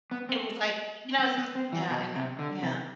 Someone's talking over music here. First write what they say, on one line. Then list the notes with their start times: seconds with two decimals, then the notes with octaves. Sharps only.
it was, like, you know Yeah I kno Yeah.
0.11 B3
0.29 C4
1.19 C4
1.38 B3
1.55 C4
1.72 E3
1.90 B2
2.16 C3
2.39 D3
2.62 C3